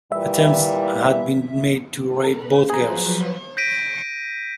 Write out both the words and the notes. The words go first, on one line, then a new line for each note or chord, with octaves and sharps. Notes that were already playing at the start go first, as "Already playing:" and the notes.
Attempts had been made to rape both girls.
A#2 E3 G3 E5
F3 F#3 G#4 B4 A#5
G6 A#6 B6 D7 D#7